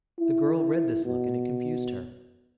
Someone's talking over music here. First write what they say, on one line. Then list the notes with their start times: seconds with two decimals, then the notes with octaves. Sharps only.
The girl read this look and it confused her.
0.19 E4
1.05 B2